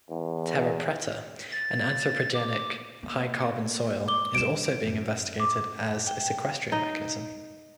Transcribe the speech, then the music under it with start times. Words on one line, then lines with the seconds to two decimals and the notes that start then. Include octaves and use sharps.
Terra preta, an anthropogenic, high-carbon soil, is also being investigated as a sequestration mechanism.
0.10 E2
1.52 A6
2.34 D6
3.03 A#3
4.08 D6 G7
4.35 G3 D4 D7 E7
4.87 F#2
5.40 D6
6.07 G5
6.72 D#4